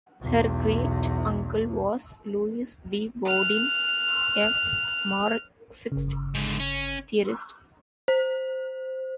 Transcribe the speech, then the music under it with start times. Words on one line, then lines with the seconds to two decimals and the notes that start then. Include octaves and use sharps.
Her great-uncle was Louis B. Boudin, a Marxist theorist.
0.22 B1 E2
3.26 F6 F#6
5.92 G1 C#3
6.35 G#2 D3
6.60 C#4
8.08 C5